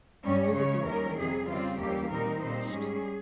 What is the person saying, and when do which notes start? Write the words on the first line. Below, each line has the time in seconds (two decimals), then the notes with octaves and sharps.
Noise of the weapon is thus heavily diminished.
0.23 G2 G3 C#4 C#5
0.54 C#3 G#3 C#4 C#5
0.85 D#2 D#3 G3 C#4 A#4
1.16 F2 C3 G3 G#4
1.47 C#3 G3 C4 F4
1.77 D#2 C#3 G3 A#3 G4
2.09 A#2 G3 C4 D#4 A#4
2.39 A#2 G3 C4 D#4 C5
2.71 G#2 G3 C#4 G#4